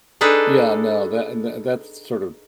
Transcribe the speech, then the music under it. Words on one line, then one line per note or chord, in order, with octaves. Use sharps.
Yeah, no, tha and tha that's sort of
D4 D#4 G#4 A4 B4